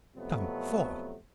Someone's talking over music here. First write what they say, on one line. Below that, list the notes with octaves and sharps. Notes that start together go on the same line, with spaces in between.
Come, four?
F2 C3 F#3 A3 B3